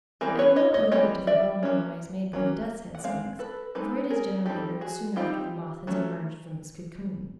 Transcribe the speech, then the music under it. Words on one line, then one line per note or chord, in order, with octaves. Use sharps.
I have not alluded to the well-known noise made by the Death's Head Sphinx, for it is generally heard soon after the moth has emerged from its cocoon.
E3 G3 C4 G#4 A#4
B4 C#5
C#5 D#5
C#5 D#5
E3 G3 C4 C#5 D#5
D5 E5
F#3 A#3 C#4
F#3 A#3 C#4
F#5
G#3 C4 F5
A4 B4
G#3 C4 D#4 A4 B4
G#4 A#4
G3 C4 D#4 G4 A4
F#4 G#4
G3 C4 D#4 F4 G4
F#3 A3 C#4